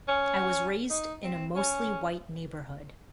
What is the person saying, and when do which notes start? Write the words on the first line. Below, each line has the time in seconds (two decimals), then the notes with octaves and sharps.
I was raised in a mostly white neighborhood.
0.08 C#4
0.90 D#4
1.23 C4
1.56 C#4